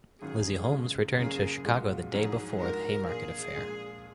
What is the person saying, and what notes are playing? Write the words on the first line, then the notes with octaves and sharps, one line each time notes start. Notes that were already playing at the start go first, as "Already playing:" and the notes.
Lizzie Holmes returned to Chicago the day before the Haymarket affair.
G#1 F#2 F#3 G#4
C#2 C#3 G#3
F#1 F#2 C#3 A#3 C#4 G#4
A#1 A#2 F#3 G#3 F#4
A#1 G#2 F#3 G#4
A#1 G#2 G#3 F#4 A#4
A#1 A#2 A#3 G#4
A#1 A#2 G#3